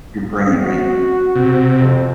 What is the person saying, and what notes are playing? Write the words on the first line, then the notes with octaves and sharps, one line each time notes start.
your brain, right?
F#4
C3
F2